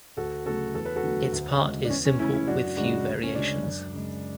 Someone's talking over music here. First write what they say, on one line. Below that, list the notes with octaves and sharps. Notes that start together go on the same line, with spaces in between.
Its part is simple with few variations.
D2 F#4 A4
C#3 F#3 A3 F#4 A4
E2 A4
B4
F#4 A4
D3 F#3 A3
D2
C#3 G#3
D4
E2 C#4
C#4
C#3 E3 A3 C#4 E4
C#4 E4
F#2 D4 F#4
C#3 G#3 D4 F#4
D2
C#4
C#3 G#3 D4
F#2
C#3 G#3